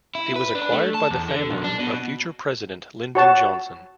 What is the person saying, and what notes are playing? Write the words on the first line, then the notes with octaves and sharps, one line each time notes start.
It was acquired by the family of future president Lyndon Johnson.
E4
B4
D4
A3
A5
E2
D3
B1
D4
B2
F#4 C#5 A5